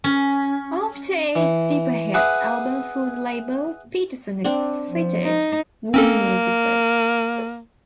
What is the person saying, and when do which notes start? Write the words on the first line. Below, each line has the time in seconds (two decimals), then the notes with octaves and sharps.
After a "Super Hits" album for the label, Peterson exited Warner Music Group.
0.04 C#4
1.36 E3
2.14 G#4 B4 E5 F#5 D6
4.44 C4 D4
4.90 F3
5.24 D#4
5.94 A#3 C4 C#4 A4